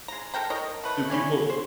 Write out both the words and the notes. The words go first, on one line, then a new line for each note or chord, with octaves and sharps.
do people
G#3 A#5
A4 A#4 G5 A#5
A#4 C#5 D#5
A3 B4
E4 C#5 D5 G#5
C5